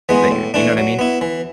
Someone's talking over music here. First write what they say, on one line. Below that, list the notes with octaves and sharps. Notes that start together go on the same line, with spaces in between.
that you're you know what I mean?
E3 G#3 B3
A2
E3 A3 D4
F#3
B3 E4
E3